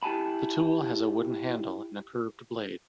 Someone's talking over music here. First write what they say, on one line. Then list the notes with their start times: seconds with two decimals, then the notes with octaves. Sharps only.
The tool has a wooden handle and a curved blade.
0.03 E4 G4 G#5 A5 B5